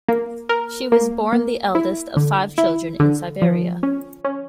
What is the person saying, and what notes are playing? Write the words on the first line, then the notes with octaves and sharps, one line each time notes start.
She was born the eldest of five children in Siberia.
A#3
A#4
A#3
A#3
E4
D3
E4
D3
F3
C#4
C#4